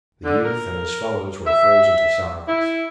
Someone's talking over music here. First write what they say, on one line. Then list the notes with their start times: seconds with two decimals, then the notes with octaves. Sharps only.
The youth and his fellows were frozen to silence.
0.25 D3
0.45 A#4
1.46 E5
2.48 E4